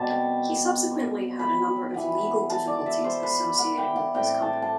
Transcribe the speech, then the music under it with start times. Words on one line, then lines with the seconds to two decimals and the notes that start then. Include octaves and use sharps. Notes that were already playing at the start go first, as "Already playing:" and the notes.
He subsequently had a number of legal difficulties associated with this company.
Already playing: B2 G3 C4 A5
0.11 G5
1.39 B5
1.94 E3 B3
2.50 A5
2.67 D5
2.86 E5
3.04 C5
3.23 B4
3.59 F#5
3.78 G5
3.96 F#5
4.14 A2 G3 C4 G5
4.42 A5
4.62 A5